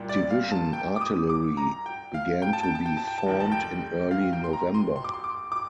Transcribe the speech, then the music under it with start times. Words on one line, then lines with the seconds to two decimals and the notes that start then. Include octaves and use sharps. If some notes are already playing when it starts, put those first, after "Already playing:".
Division artillery began to be formed in early November.
Already playing: C2 A#2 G3
0.09 D5
0.30 F5
0.52 A5
0.73 G5
0.96 D6
1.01 D#6
1.29 D6
1.57 A#5
1.86 G5
2.14 F5
2.42 G5
2.53 A5
2.63 G5
2.75 A5
2.86 G5
2.97 A5
3.07 G5
3.18 A5
3.26 F1 D#2 D#3 G5
3.40 A5
3.52 G5
4.11 F5
4.33 G5
4.44 C6
4.53 A#5
4.74 C6
4.96 C6
5.04 D6
5.14 C6
5.24 D6
5.52 D6